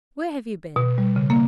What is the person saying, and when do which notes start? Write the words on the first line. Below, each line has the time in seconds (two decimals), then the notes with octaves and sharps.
Where have you been?'
0.76 B2
0.98 G3
1.16 C#3
1.30 A#3